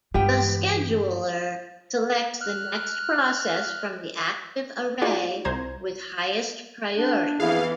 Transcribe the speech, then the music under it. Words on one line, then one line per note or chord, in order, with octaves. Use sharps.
The scheduler selects the next process from the active array with highest priority.
G2 E3 G3 G#3 B3 G4 G5
F6 F#6
D#4 F4 F#4 G#4 D5
C2 C5 A#5 G#6
D4
F2 E3 B3 E4 G#4 F5